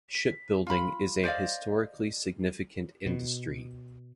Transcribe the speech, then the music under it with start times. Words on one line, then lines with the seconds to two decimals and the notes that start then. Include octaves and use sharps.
Shipbuilding is a historically significant industry.
0.15 B6
0.67 F4 B5
1.24 C5 D5 D#5 F5
3.06 B2